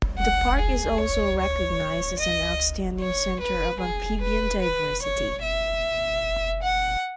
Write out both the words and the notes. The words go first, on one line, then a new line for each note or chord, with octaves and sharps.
The park is also recognised as an outstanding centre of amphibian diversity.
F#5
G#4
C#5
C#5
D#5
C#5
B4
G#4
B4
B4
C#5
E5
F#5